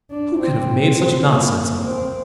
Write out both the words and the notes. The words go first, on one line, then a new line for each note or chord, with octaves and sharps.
"Who can have made such nonsense of it?"
D4
C4
C4
A#3
C4